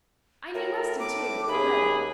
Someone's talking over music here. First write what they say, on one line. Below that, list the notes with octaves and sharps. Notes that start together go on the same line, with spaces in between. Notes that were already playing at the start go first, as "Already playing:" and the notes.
I knew Weston, too, a little.
A2 A#4
D6
D#2 G#4 B5